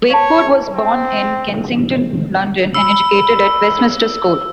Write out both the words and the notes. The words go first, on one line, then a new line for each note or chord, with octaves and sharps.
Wakeford was born in Kensington, London, and educated at Westminster School.
C#5 F5 A5
C4
B5 E6